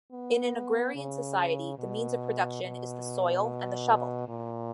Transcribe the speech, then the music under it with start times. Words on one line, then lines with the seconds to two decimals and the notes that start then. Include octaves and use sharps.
In an agrarian society the means of production is the soil and the shovel.
0.12 B3
0.95 C#3
1.79 B2
2.62 B2
4.28 A#2